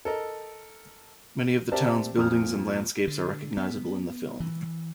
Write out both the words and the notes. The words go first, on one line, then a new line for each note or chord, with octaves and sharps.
Many of the town's buildings and landscapes are recognizable in the film.
A4 A#4 D#5
C4 G4 A#4 D5 E5 A5
F2 A#2 D#6 F6
D3
B3
E3